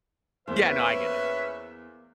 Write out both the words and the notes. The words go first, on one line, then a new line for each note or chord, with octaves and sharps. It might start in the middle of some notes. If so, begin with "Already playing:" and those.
Yeah, no, I get it.
E2 A#3 C#4 B4 C5 E5